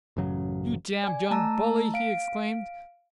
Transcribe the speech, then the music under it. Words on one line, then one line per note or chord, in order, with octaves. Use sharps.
"You damned young bully!" he exclaimed.
A1 F#2 C#3 F#3
D5 G#5
A3 A5 A#5 E6
F5 D7